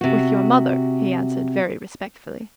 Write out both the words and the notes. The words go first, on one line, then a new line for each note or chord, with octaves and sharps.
"With your mother," he answered very respectfully.
C3 F#4